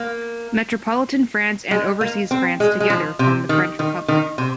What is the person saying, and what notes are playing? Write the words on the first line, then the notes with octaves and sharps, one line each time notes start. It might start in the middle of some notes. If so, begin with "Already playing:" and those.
Metropolitan France and Overseas France together form the French Republic.
Already playing: A#3
G#3
A#3
C4
G#3
G#3
F3
C3
D#3
D#3
D#3
C3